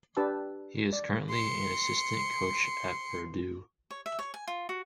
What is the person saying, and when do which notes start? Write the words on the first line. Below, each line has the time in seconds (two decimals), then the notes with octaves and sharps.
He is currently an assistant coach at Purdue.
0.17 D4 G4 B4 A5 E6
0.93 D5
1.30 C6 C#7
3.91 C#5
4.06 E5
4.19 C#5
4.34 G#5
4.48 F4
4.69 F#4